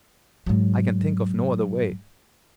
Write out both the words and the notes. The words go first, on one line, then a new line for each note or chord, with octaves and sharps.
I can think of no other way.
G#2 F#3